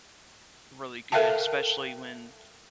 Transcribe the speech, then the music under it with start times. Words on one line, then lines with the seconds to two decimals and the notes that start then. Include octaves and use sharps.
really good, especially when,
1.12 A4 A#4 E5 F5 G5 A5